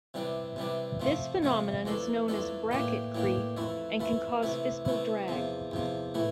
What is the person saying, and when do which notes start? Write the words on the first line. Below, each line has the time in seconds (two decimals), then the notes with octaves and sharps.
This phenomenon is known as "bracket creep" and can cause fiscal drag.
0.14 C3 E3 G3 D4
0.56 C3 E3 G3 D4
1.00 C3 F3 A3 C4
1.43 C3 F3 A3 C4
1.85 F2 E3 A3 D4 A4
2.28 F2 E3 A3 D4 A4
2.71 A2 E3 A#3 D4 G4
3.15 A2 E3 A#3 D4 G4
3.57 F2 E3 A3 E4
4.00 F2 E3 A3 E4
4.43 C3 E3 A3 E4
4.85 C3 E3 A3 E4
5.28 E2 C3 F3
5.71 E2 C3 F3
6.14 A2 E3 A3 E4